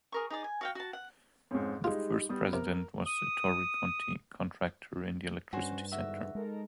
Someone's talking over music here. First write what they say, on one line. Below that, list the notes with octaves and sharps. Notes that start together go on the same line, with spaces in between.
The first president was Ettore Conti, contractor in the electricity sector.
G#4 A#4 C#6
D#4 G#4 D5
G#5
F#4 F5 G5
F#4 A5
F#5
F2 G#2 C#4
G3 G#3 D#4 F4
G3 B3 D#6
C3 A#4
D#6
G2 C#4 F#4 C5 G#5
E2 G#2 D3 F#4 E5
G#3 D#4 A4 A#4